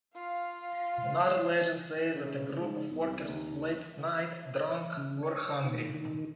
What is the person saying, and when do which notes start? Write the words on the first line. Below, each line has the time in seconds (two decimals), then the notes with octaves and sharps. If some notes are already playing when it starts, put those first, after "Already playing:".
Another legend says that a group of workers, late at night, drunk, were hungry.
0.15 F4 F5
2.15 C#3
2.60 G#2
2.91 B1
3.02 C2
3.28 D#2
4.97 C#3
5.23 C#5
5.64 D#3
5.94 D#3